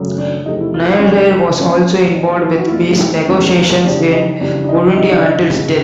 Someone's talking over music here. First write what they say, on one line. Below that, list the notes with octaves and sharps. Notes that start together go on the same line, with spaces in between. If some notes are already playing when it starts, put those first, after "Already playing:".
Nyerere was also involved with peace negotiations in Burundi until his death.
Already playing: G#1 F#2 C#3 F#3 A3
D4
E2 C3 F3 A3 D#4
E4
F4
E4
C#4
E2 C3 F3 A3 D4
A#1 A#2 F3 C#4
C4
C#4
A#1 A#2 F3 D#4
F4
E4
F#4
E4
F1 E2 B2 G#3 F4
E4
F1 E2 B2 G#3 C#4
F2 C#3 E3 G3 D4
D#4
F2 C#3 E3 G3 D4
D4
D#4
D#2 C#3 E3 G#3 D#4
D4
D#4
D#2 C#3 E3 G#3